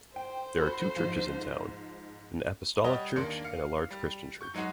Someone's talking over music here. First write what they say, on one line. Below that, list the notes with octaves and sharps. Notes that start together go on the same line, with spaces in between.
There are two churches in town, an Apostolic Church and a large Christian church.
C5 G5
F#4 A4 B5
G#2 F3
G3 F#4 C#5 D#5 D#6 G7
D#2 A#3 D4 C6 C#7
F5 C#7
G3
C#6 G6
G#2 F#3 G#3 D#4 F#4